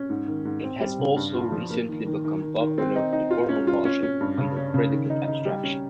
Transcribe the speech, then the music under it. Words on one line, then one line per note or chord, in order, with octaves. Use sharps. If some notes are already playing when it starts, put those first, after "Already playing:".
It has also recently become popular in formal logic under predicate abstraction.
Already playing: C#4
G#2
D#3
G#2
C4
G3
C#3
G2
F4
F3
A#3
D#3
D#3
D#3
D#3
D#3
C4
D#4
D#4
F4
C#4
F4
C#4
C#4
G2
C#3
C#4
C#3
D#3
D#4
D#4
G3
C#4